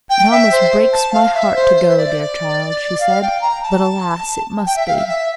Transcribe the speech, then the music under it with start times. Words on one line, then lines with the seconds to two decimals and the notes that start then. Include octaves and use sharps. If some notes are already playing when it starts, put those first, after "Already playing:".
'It almost breaks my heart to go, dear child,' she said, 'but, alas! it must be.'
0.10 G5
0.31 E5
0.52 C5
0.93 A5
1.13 F5
1.34 E5
1.55 C5
1.76 C5
1.89 E5
1.97 D5
3.00 F5
3.22 G5
3.41 A#5
3.62 A5
4.66 G5
4.76 E5
4.87 F5
4.97 E5
5.08 E5